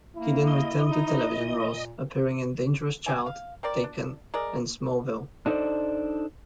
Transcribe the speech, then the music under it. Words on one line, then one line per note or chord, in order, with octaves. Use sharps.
He then returned to television roles, appearing in "Dangerous Child", "Taken", and "Smallville".
A#3 E4
D#5
D#4
A#2
G3 E4 G4 G#5
F5
C4 A#4 D5
D4
G#3 A#4 D5
D4 D#4 A4 B4 C5 D5